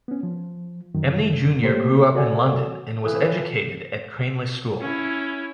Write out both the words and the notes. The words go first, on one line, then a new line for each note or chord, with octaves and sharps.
Emney junior grew up in London and was educated at Cranleigh School.
B3 C#4
F3
F#2 D#3
A3 A#3 G4 C5
F#4 A4 C#5 D5 F#5 G#5
C3 E3 F3 A4 B4
C#4 E4